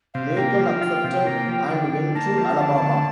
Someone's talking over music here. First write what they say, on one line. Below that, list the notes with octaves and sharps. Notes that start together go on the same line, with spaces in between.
Macon accepted and went to Alabama.
C3 F5
A#3 G5
F3
F4
C3
A#3
F3
D3
D3
A#3 A5
F3
D3
D3